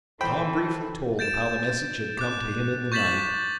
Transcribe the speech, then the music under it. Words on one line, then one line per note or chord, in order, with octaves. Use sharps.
Tom briefly told of how the message had come to him in the night.
E3 A4 C5 G5 B5
G6 A6 D7 E7
D6 F#6
C#6 G6 A6 B6 E7 F#7